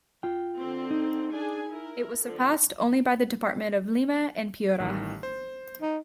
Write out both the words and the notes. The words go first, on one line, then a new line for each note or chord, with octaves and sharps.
It was surpassed only by the Department of Lima and Piura.
F4 G5
D3 C4
D#4
D4 G#4 G#5
E4 A#4
D3 F3
A1 D#3 G3
C5
D#4